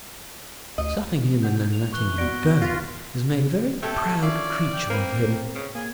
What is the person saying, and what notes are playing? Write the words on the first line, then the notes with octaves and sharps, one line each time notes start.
Stuffing him and then letting him go has made a very proud creature of him.
D2 D#5
F#5 G6
F7
E3 C#6 F#6 G7
B3 F#4 D5 A#6 D7
F4 A#6 B6
A2 A3 G4 A4 G5
C#4 F4 D5 E5
G5
A#3 C4 A#4 B4
C#3
A#3 G#4 G#5